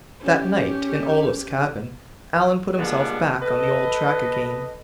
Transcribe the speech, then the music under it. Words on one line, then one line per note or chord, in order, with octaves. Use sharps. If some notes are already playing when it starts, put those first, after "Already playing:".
That night, in Olaf's cabin, Alan put himself back on the old track again.
C#4 G4
F3 G3 G#3 A#3 B3 D4
A4 B4 D#5